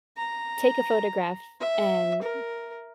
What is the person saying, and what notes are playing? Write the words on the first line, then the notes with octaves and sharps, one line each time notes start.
take a photograph and m
A#5
E5
A#4